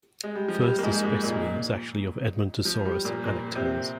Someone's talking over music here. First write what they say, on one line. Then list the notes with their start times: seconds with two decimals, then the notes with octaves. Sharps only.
First, the specimen is actually of "Edmontosaurus annectens".
0.24 G#3
0.35 G3
0.48 F3
0.61 G3
0.79 A#3
0.83 G#2 G#3
1.03 G#2 G#3
1.23 A#2 A#3
2.65 F3
2.85 G3
3.05 A#2 A#3
3.25 A#2 A#3
3.55 C3 C4